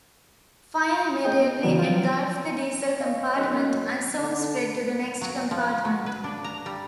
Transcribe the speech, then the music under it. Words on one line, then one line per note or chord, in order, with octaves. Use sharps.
Fire immediately engulfed the diesel compartment, and soon spread to the next compartment.
G#4 D#5 G5 G6
B3
C#3 E3 F#3 B3
F3 F4
C#5 D#5 F5 G#5
F#2 C#4 D#4 D#5 F#6
D3
F#3
F3
F#3
B4
D4
A#5
G3